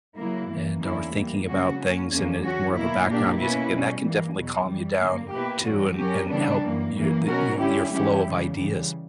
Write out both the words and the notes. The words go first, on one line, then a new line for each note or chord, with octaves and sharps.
and, or thinking about things and it's more of a background music, and that can definitely calm you down too and and help you the you know, your flow of ideas.
C#3 F#3 A#3 E4
G2 E3 A#3
E2 D3 A#3 C#4 E4
E3 G3 A#3
C#3 G3 A#3 C#4 F#4
F#3 A#3 C#4
E2 D3 A#3 C#4
F#3 C#4 F#4
B2 A#3 E4
A#2 A#3 D4 G4
B2 A#3 C#4 E4 B4
B2 G3 C#4
E3 G3 A#3
E2 B2 F#3
F#2 E3 G3
G2 D3 A#3
B2 A#3 E4 G4 B4
F#2 E3 G3 C#4 F#4
F#3 C#4 G4 A#4
C#3 E3 G3 B3 D4
F#2 E3 A#3
F#2 E3 A#3
B2 F#3 C#4 F#4 A#4
D3 G3 C#4 E4 G4
E3 G3 C#4 E4 G4
C#3 E3 G3
C#3 E3 G3